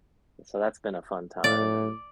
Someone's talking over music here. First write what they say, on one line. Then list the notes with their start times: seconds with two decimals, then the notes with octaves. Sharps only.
And so that's been a fun time, and,
1.44 A2 D5